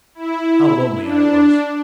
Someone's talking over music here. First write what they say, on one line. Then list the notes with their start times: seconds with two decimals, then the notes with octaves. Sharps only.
How lonely I was!
0.15 E4
1.04 D4